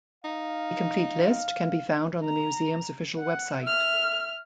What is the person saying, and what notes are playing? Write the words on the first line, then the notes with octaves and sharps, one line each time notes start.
A complete list can be found on the museum's official website.
D#4 F5
A#5
F#5
E5 F6